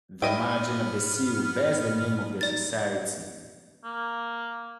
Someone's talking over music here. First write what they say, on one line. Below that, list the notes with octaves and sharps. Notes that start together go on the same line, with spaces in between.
The margin of the seal bears the name of the society.
G#2 B3 E4 D#5 G5 F6
D#4 D5 A6
A#3